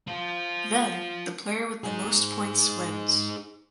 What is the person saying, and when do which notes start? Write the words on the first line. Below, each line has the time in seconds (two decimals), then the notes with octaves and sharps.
Then the player with the most points wins.
0.08 F4 C5
1.84 D#4 G#4